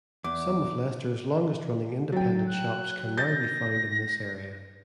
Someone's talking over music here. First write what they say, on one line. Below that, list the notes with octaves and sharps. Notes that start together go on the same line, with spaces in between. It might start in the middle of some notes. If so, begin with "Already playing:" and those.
Some of Leicester's longest running independent shops can now be found in this area.
E2 D6
F#3 G5 A6
F#6
G6 A6 A#6